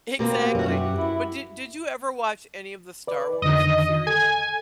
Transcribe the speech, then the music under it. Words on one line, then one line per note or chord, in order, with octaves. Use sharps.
Exactly. But did did you ever watch any of the Star Wars series?
B2 A#3 C4 G4
F#2 C#4 F#4 E5
F#4 G4
E4
B4 D5
F2 D3 D#3 D#5
A4 G#5